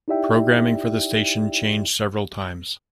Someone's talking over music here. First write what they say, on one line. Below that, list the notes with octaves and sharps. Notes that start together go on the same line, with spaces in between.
Programming for the station changed several times.
D#4 E4 G4 D5 E5 G5